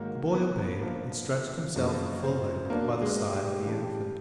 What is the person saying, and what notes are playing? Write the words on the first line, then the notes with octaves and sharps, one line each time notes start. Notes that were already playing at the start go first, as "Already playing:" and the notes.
The boy obeyed, and stretched himself at full length by the side of the infant.
Already playing: G#2 D#3 F#3 A#3 A#4
B3 B4
D3 F3 A#3
F#2 C#3 F3 A#3 D4
C4 C5
D3 F#3 A#3 B3 D4 A#4
G#3 G#4
G4
C#3 E3 A3 D4 G4